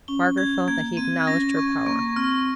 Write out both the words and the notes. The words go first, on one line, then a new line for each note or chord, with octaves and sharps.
Margaret felt that he acknowledged her power.
C#4 G7
G#6
A#3 G#6
C4 D#7
C#4 A#6
C#6
A#3 C#6
C4 F6